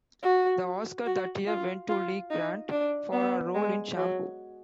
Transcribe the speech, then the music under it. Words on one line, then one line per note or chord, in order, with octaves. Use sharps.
The Oscar that year went to Lee Grant for her role in "Shampoo".
F#4
F#4
F4
F4
D#4
D4
B3
G#3
F#3